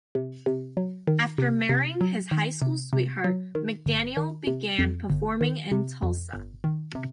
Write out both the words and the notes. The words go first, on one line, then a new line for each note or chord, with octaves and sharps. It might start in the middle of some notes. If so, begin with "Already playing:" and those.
After marrying his high school sweetheart, McDaniel began performing in Tulsa.
C3
C3
F#3
D#3
C3
C3
F#3
D#3
C3
C3
F#3
D#3
G1
D#3
C3
F2
G1
D#3
C3
F2
G1
D#3
C3